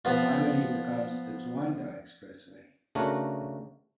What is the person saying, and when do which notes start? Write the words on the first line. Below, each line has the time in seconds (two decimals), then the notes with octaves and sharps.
Finally, it becomes the Xuanda Expressway.
0.05 F3 B3 F4
2.95 C#3 A3 D4 F#4 A#4